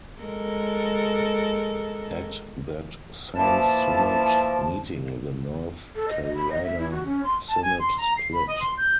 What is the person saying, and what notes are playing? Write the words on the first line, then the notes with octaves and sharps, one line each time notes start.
At that same synod meeting the North Carolina Synod split.
G#3 A4 A#4
E3 F3 A#3 E4 D5 A5
A4
D#5
D#5
B5
D#5
E5
E4
F#4
C#4
C6
A5
G#5
C6
A#5
C7
B5
D#5
C6
G6